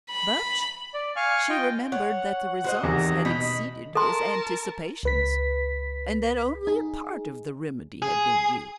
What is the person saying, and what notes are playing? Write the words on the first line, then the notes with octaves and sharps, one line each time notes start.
But she remembered that the results had exceeded his anticipations, and that only a part of the remedy had been used.
B5
D5
F5 G#5 C#6 F6
F4 D#5 G5
C#5 F#5
F#4 C5 D#5
E2 C3 D#3 A#5
B2 D#4 B5
A4 A#4 A5 C6
C#2 B4 B6
D#4 G#4
G#4